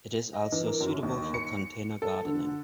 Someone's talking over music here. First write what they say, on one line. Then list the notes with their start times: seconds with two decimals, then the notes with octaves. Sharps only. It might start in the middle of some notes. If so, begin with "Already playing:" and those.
It is also suitable for container gardening.
0.33 D#5
0.52 E3
0.67 A#4
0.81 F#2
1.03 D#2
1.34 C#7
2.02 A4
2.25 D3